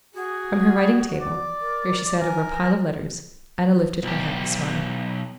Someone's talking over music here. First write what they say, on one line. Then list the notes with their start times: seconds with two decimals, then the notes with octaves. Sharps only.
From her writing-table, where she sat over a pile of letters, Anna lifted her happy smile.
0.15 F#4 G#4
1.21 D5
1.61 A#4
2.20 A#4 G#5
4.03 B1 G4